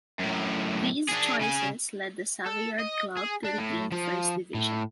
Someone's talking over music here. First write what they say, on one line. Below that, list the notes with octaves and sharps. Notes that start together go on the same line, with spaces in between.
These choices led the Savoyard club to regain the first division.
F#2 A2
D4 G#4
C#3 G#5
A4
D#5
G#4
D4
A2
F3
A2